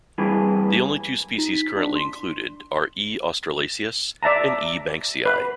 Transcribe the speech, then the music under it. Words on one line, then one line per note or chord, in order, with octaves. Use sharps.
The only two species currently included are "E. australasius" and "E. banksii".
G2 E3 G#4
D#4
B6
D4
C6
D5 E5 A5 A#5
B4